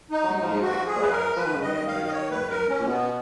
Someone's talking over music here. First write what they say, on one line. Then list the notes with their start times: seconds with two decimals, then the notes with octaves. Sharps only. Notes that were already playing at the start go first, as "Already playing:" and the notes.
We hear their cries and are moved by them.
0.11 D#4
0.23 F#3
0.36 F#3 D#4
0.43 F3
0.61 F#4
0.87 G#4
1.01 B4
1.11 A#4
1.36 F3 B4
1.46 D#3
1.55 C#3
1.62 D#3 D#5
1.87 F5
2.07 D#5
2.12 C#5
2.31 B4
2.50 A#4
2.69 C#4
2.79 A#2
2.87 B2 B3